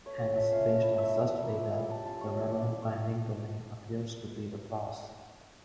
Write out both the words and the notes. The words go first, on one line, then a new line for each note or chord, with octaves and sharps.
Hence based on such data, the relevant binding domain appears to be the clause.
A3 C#5
C#4 F4
A3 E5
C#4 F4 F5
A3
E4
A3 E5
E4
F3
A#3 E4
F3
A#3 E4
G3 A5
C#4 F4 A5
G3 C#6
C#4 F4
A3 D6
E4
A3 C#6